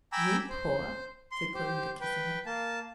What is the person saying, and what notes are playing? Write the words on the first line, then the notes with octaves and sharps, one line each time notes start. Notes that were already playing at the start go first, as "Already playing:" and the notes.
"You poor!" said Clorinda, kissing her.
G5 G#5 A#5 B5 D6 E6
C5
C6
G4 C5
B4 G5
A#3 A5